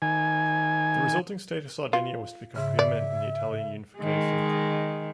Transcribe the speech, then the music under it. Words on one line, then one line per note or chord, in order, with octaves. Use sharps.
The resulting state of Sardinia was to become preeminent in the Italian unification.
D#3 G#5
F4
G#2 C#3 E5
D5
D#3 G#3